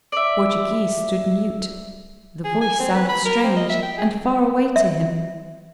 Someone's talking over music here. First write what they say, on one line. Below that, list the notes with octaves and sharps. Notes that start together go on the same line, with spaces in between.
Portoghese stood mute; the voice sounded strange and far away to him.
D5 E5
G#4
G#5
C4
B4
B5
A#4
C4
D#5
E5
G5
G#4
E5